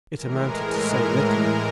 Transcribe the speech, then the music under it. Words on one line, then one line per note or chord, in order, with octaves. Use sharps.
It amounted to so little!
A2 E3 G#3 A#4